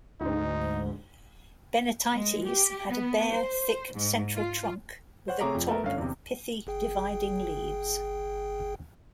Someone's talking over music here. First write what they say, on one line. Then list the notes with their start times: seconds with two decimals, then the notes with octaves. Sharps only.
"Bennettites" had a bare, thick central trunk with a top of pithy, dividing leaves.
0.21 D2 G#2 D#4
2.13 G#3
2.45 G4
2.89 B3
3.34 C5
3.93 G#2
4.35 F4
5.28 C5 C#5 F#5
5.40 C3 A3 G#4 C#5 A#5 D6
5.55 F2
5.69 A3 B3 A#4
5.84 G1 C#4 F5
5.98 E2 C3
6.67 G1 G#4 G5